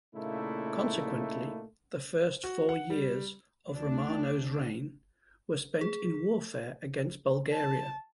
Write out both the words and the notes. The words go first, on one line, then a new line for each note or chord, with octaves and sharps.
Consequently, the first four years of Romanos' reign were spent in warfare against Bulgaria.
A#2 C#3 A3 A#3 D#4 E4
F#4
F#5
G3
D2 D4
G#4
A5